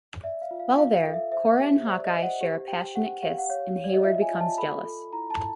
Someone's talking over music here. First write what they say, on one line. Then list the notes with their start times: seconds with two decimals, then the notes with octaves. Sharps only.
While there, Cora and Hawkeye share a passionate kiss, and Heyward becomes jealous.
0.23 D5 E5
0.42 F5
0.51 F4
0.60 F5
0.77 F4 F5
0.96 F5
1.05 A4
1.14 E5
1.32 C5 E5
1.59 G4
1.86 C5 D5
2.05 D#5
2.14 C5
2.23 F#5
2.41 G4
2.68 G4 G5
2.95 G4 F#5
3.22 G4 F5
3.38 F#5
3.49 C#5 F5
3.77 C#5
3.84 D5
3.94 D#5
4.04 F4 E5
4.22 G#5
4.31 F4
4.40 A5
4.58 A4 B5
4.85 A4
5.13 E4 A#5
5.30 A5
5.40 E4